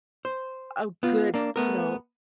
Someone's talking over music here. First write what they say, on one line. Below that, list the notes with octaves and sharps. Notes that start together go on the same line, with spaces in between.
a good, you know,
C5
B3 F4
A#3 D4
A3 B3 A#4